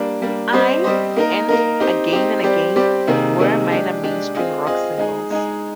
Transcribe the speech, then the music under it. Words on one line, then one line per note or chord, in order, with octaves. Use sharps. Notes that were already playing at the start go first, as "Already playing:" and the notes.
"I" and "Again and Again" were minor Mainstream Rock singles.
Already playing: G3 A#3 D4
G3 A#3 D4
G3 C4 G4 C5 D#5
G3 C4 G4 C5 D#5
A#3 D#4 A#4
A#3 D#4 A#4
C4 D#4 G4
C4 D#4 G4
G3 C4 G4 D5
G3 C4 G4 D5
C3 D#3 A#3 D#4 G#4
C3 D#3 A#3 D#4 G#4
G#3 D4 G4
G#3 D4 G4
C4 F4 G#4 D#5
C4 F4 G#4 D#5
G#3 D#4 G#4
G#3 D#4 G#4